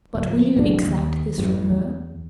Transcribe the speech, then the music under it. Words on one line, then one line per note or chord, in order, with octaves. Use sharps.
But will you exact this from her?
D1
F3
D1 B1 E2 D4
D#2
A1 F#2
E2